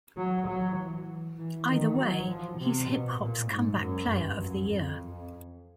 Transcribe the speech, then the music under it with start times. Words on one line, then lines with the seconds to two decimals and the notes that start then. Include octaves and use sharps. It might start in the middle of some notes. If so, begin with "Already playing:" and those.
Either way, he's hip-hop's Comeback Playa of the Year.
0.17 F#3
0.47 F#3
0.77 E3
1.38 E3
1.68 D#3
1.98 F#3
2.29 F3
2.58 C3
2.89 B2
3.19 A#2
3.50 G#2
3.79 F#2
4.10 G2
4.40 F#2
4.70 F2